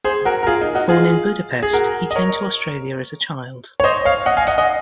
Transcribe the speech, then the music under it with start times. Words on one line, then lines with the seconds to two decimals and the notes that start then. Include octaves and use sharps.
Born in Budapest, he came to Australia as a child.
0.04 G#4 C5
0.25 F#4 A#4
0.43 A#4
0.47 F4 G#4
0.61 D#4
0.75 D#4 F#4
0.89 F4 G#4
1.63 G#4
1.73 F#4 A#4
2.11 D#5
2.16 A#4 C#5
3.80 C#5
3.84 C5 D#5
4.05 C#5 F5
4.26 D#5 F#5
4.37 F5 G#5
4.47 D#5 F#5
4.58 D#5 F#5